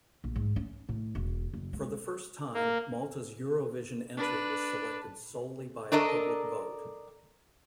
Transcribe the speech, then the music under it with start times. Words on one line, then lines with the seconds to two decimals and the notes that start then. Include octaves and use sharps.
For the first time, Malta's Eurovision entry was selected solely by a public vote.
0.24 A#1
0.36 G#2
0.56 C#4
0.89 A2
1.15 E1
1.53 F#1
1.73 G#3
2.54 A#3
4.16 D4 B4
5.92 D4 A4 A#4 D#5